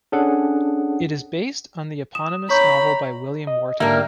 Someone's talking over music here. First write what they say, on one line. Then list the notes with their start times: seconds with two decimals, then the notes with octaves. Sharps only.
It is based on the eponymous novel by William Wharton.
0.12 C#4 D4 G#4 A4 F#5
2.15 D#6 E7
2.50 C#5 A#5 B5 C#6 G6
3.47 D#5
3.80 G#2 D3 G3 A#3 A#4 E5